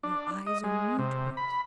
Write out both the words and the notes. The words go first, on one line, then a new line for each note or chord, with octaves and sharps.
Your eyes are new to it.
D4
D#5
G#3
C3
B5